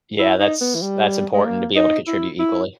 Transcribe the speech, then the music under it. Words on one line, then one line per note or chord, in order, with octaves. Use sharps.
Yeah, that's that's important, to be able to contribute equally.
E4
D#4
B3
E3
G3
G#3
A#3
D#4
E4
E4